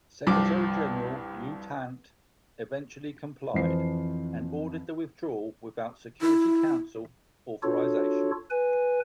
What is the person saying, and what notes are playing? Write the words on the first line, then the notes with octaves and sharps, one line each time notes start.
Secretary-General U Thant eventually complied and ordered the withdrawal without Security Council authorisation.
C2 G2 F3 D6
F2 E3 F3 C5 C7
E4
D4 F4 F#4 A4 C#5
B4 G#5